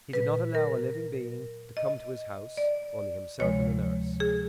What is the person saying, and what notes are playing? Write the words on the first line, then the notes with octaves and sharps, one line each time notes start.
He did not allow a living being to come to his house, only himself and the nurse.
A#2 F#3 B4
A#4
D#5
D5
D2 C3 F3 G#3 C#5
G#4